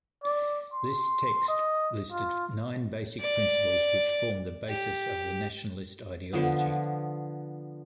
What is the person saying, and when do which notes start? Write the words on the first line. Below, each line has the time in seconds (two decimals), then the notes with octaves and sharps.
This text listed nine basic principles which formed the basis of the nationalist ideology.
0.24 D5
0.73 C6
1.48 D#5
2.12 F4
3.20 D5
4.68 G4
6.33 D3 F3 B3